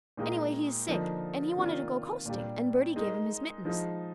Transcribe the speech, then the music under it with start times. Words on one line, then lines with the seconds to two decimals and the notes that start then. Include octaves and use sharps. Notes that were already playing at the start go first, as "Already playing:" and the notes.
Anyway, he is sick, and he wanted to go coasting, and Bertie gave him his mittens.
0.17 A#2 G#3 D#4 G4 A#4
0.87 D3 F3 A#3 D#4
1.56 C3 D#3 A#3 D4 F4
2.26 A#2 G3 D4 G4
2.96 G#3 D#4 A#4
3.65 F3 G#3 D#4